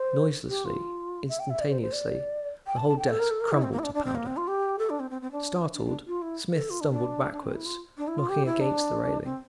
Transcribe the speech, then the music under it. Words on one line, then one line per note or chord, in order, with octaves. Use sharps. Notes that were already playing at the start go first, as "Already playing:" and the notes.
Noiselessly, instantaneously, the whole desk crumbled to powder. Startled, Smith stumbled backwards, knocking against the railing.
Already playing: C5
G4
F4
E5
G5
E5
D5
C5
C5
D5
G5
A5
A5
G5
A4
A#4
A4
A#4
E4
C4
A#3
E4
D4
D4
C4
A#3
C4
F4
G4
A4
D4
C4
C4
C4
D4
D4
D4
F4
E4
A4
F4
D4
D4
D4
C4
E4
F4
D4
E4
F4
G4
E4
D4
C4